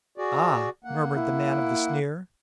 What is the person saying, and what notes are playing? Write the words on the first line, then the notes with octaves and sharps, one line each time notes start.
"Ah!" murmured the man of the sneer.
F#4 G#4 D5
A#3 F#5
E4